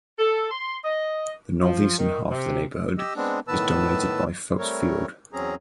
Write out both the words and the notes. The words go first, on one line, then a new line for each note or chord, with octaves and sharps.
The northeastern half of the neighborhood is dominated by Felts Field.
A4
C6
D#5
F3
D#3
C3
G4 D#5 E6
G#3 B3 C4 D4
A2 D#3 B3 B4 A5 E6
G3 A3 C4 A#4 C#5
E2 F#3 C4 C#4 G#4 A#5